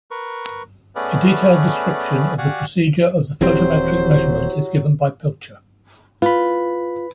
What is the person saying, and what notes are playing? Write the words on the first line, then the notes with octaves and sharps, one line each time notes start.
A detailed description of the procedure of the photometric measurement is given by Pilcher.
A#4 B4 C#6
A3 B3 C#4 G#4 B4 D5
F#4 G4 D5 F5 F#5 G#5
D#1 E3 F#3 C4 E4 G4 C5
F4 B4 B5